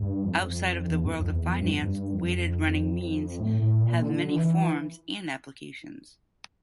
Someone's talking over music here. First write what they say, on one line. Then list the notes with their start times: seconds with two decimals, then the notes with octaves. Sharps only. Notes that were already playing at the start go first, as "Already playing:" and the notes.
Outside the world of finance, weighted running means have many forms and applications.
Already playing: G2
0.24 F2
0.87 E2
1.04 G2
1.08 F2
1.21 F2
1.29 E2
1.50 F2
1.60 G2
1.70 F2
1.82 G2
2.13 F2
3.40 A2
3.61 A2
3.82 A#2
4.03 D3
4.27 D3
4.35 E3